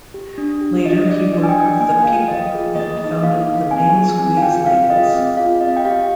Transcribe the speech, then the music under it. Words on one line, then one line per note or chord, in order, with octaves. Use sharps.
Later, he worked with the "People" and founded the "Main Squeeze" labels.
G4
D4
G4
D4 D#5
G4 D5
D4 D#5
G#5
G5
G4
G5
A#3 G#5
G5
F4 G#4 F5
A#3 D#5
F4 G#4
A#3 D#5
D#4 G#4 D#5
A#3 F5
D#4 G#4
C4 G#5
F4 G#4
C4 G#5
F5
F4 G#4 G5
G5
C4 F5
F4 G#4 D#5
C4
F4 G#4 F5
C4 D#5
G5
G4 F5